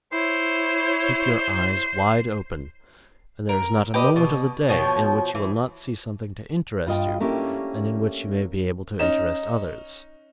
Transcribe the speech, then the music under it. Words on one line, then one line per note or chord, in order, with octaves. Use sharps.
Keep your eyes wide open and there is not a moment of the day in which you will not see something to interest you and in which you may be able to interest others.
E4 C5 C#5
A#4
G4 B4 D#5
B2
B2 F3 C#5 G5
E3
G2 F4 D#5 G5
A3 A#3 C#4 D4 E4 G4
C#4 D#4 E7